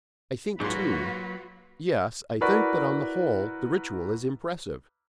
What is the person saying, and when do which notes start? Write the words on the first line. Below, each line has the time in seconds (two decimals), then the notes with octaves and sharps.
I think too--yes, I think that on the whole the ritual is impressive.
0.60 G#2 F#3 A#3 F4 F#4 B4 C6
2.41 E4 F#4 A#4 B4 D5